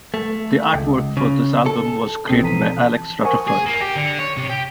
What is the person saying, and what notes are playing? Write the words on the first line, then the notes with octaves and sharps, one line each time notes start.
The artwork for this album was created by Alex Rutterford.
A3
C#2
C#3
A4
B1 B2 C4 A4 D#6 C7
E3 F3 A4 A#5 B6 D#7
A5
A#4 C5 F#5 G#5 C#6 D#6
G#4
A#3
G4
D3
C#5
C3
G4